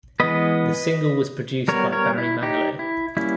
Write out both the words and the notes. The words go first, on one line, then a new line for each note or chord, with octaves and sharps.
The single was produced by Barry Manilow.
E3 G#3 B3 B4 D#5
G3 B3 A#4 C#5
A#4 C#5
E4
D#4 G4
E4
G3 A#3 C#4 E4